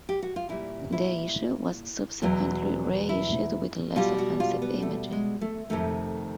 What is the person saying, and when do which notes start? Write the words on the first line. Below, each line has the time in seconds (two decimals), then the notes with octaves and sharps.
The issue was subsequently re-issued with a less offensive image.
0.09 G4
0.22 F#4
0.36 F4
0.49 A#2 G3 E4
0.92 E4
2.22 E2 B2 F#3
3.09 E4
3.96 B2 G3 F4
4.18 F#4
4.40 F4
4.62 B3
4.82 A3
5.12 G#3
5.41 A3
5.70 F2 C3 D#3 A3